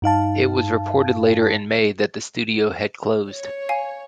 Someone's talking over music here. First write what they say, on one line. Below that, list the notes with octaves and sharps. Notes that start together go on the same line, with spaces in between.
It was reported later in May that the studio had closed.
G2 D#4 F5 A5
C#5
F5 G#5